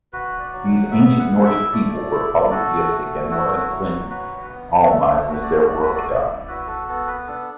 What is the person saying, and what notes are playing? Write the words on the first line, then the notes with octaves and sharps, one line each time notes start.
These ancient Nordic people were polytheistic and "Waralden Olmai" was their "world-god".
F#4 B4
D5
F#3
F#5
B3 E5
F#5
E4
E5
A3 D5
E4
F#4 A4
A3
E4 F#4
F#3
F#4 B4
B3
F#4
A3 A4
F#4 B4
D5
A3 D5
B4
D5
E4
F#4 B4
A4
B3 A4
B4
D4 A4